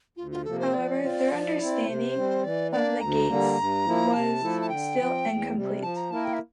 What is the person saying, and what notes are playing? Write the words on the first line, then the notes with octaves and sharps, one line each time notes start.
However, their understanding of the gates was still incomplete.
D2 F4
F4
C3 F3 A#3 A4
C5
F3 D5
C4 F4
F3
C4 E4
C3 C5
G3 C4
E3 D5
A#3 D4 D5
D2 A#5
D3 G3 A#3
G2
F3 A#3 E4
C3 A5
F3 A3 E4 A4
A5
D3 G5
F3 C4
E2
C3 G3
F3 A5
A#5
A#3 E4 A#4 A5
G5
E5